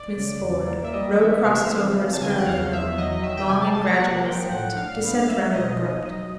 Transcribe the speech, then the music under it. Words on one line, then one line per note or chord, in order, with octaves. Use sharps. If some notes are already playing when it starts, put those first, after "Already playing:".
Smith's Ford.--Road crosses over a spur of the mountain; long and gradual ascent; descent rather abrupt.
Already playing: D5
C#3
E2
A#3
E5
G3 D#5
E3 E5
C3 F5
E5
C4 F5
E3
A5
C#3 G#5
G5
F#5
E2 F5
E2 E5
F#3 D#5
D#3 E5
G5
C3 G#5
A5
C3 A5
A#5
A#3 F#5
F#5
F3 G5
A2 F#5
D4 F5
B3 F5
F5
G#3 E5
B2 D#5
D#4
F#3 D#5